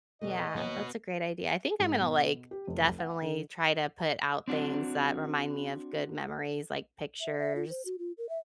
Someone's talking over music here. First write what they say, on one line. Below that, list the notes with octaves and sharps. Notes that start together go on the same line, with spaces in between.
Yeah. That's a great idea. I think I'm gonna, like, definitely, try to put out things that remind me of good memories, like pictures
E2 B2 A3 D#5
D#2 B3 F#4 E5
G#2
B2
G4
F1
F#5
D3
C4 D4 F#4
E5
E5
F4
C5
F#4
F4
A#4
E5